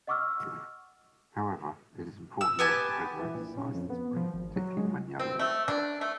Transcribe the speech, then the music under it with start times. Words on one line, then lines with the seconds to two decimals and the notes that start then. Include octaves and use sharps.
However, it is important not to over exercise this breed, particularly when young.
0.07 D#5 F#5 C#6 D6 E6 F6
2.41 E6
2.59 B3 G4 G#5 A5
3.19 E3
3.35 A#1
3.57 C#3
3.74 F2
3.90 B3
4.16 F3
4.34 G#1
4.56 F#3
4.77 G#3
5.19 C4
5.39 A3
5.68 D4
6.01 A3